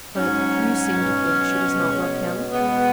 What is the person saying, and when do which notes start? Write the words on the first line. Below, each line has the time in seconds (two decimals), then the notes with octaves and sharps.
"But you seem to think she does not love him!"
0.16 G#2 F#3 C#4
0.94 B2 F#3
1.72 B2 G#3
2.51 B2 G#3 B3